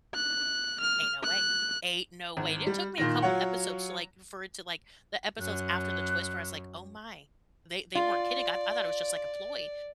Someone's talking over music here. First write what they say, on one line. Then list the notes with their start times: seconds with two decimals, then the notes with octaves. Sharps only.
"Ain't no way, ain't no way," and it took me a couple episodes to, like for it to, like the episodes after the twist where I was like, "Oh my, they they weren't kidding," I I thought it was just like a ploy.
0.14 F#6
0.81 F6
1.23 F#6
2.37 G#1
2.67 G3
2.98 A#2 D#3 A#6
3.22 F#3 F4 C#5 F#5
5.40 F#2 F#6
7.95 F4 D5